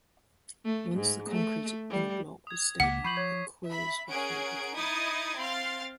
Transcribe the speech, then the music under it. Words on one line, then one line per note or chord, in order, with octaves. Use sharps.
Once the concrete in a block was stable the coils were filled with grout.
A3
G#2
A3
G3
D#6 G#6
C#2 A#3 F#5 D6 B6
F3 B5 C#6 G6 C7 F#7
C#5 G#6
E5 B5 B6
C#4 G#4 A#4 F#5 G#6 D7
D#4 E4 D#5 D#6 G#6 A6
C4 F5 C6 F6 A6